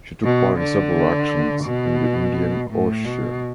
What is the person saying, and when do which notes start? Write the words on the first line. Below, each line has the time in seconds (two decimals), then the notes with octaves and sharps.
She took part in several actions in the Indian Ocean.
0.24 B2
0.60 D3
1.65 B2
2.70 A2
3.05 B2